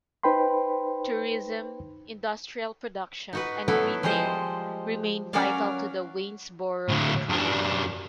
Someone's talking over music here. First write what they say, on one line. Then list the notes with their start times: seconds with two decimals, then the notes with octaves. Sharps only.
Tourism, industrial production, and retail remain vital to the Waynesboro economy.
0.23 D#4 B4 C5 G5 B5 C6
3.33 D#4 F#4 B4
3.68 F#3 A3 B3 E4 F#4
4.03 F3 G3 G#3 C5 D#5
5.33 F#3 C#4 F#4 A#4 D5 F5
6.89 A2 D3
7.29 F#2 D4